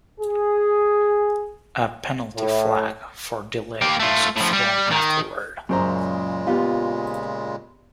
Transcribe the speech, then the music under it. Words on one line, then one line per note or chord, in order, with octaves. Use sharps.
A penalty flag for delay is thrown afterward.
G#4
A2
A#3 G4
A3 F4
A2 F3
G3
D#3
F#2 A#2 C#3 G#3 C5 A#5
B3 F4 G4